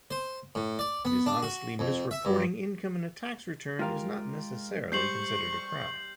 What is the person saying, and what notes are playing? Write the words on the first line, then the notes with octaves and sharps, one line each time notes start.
Dishonestly misreporting income in a tax return is not necessarily considered a crime.
C5
A2
D5
B3
D4
F#4
F2
E5
G2
G#3 F4 G4 A#4 F5
G3 C5 C#6 G6 C7 F#7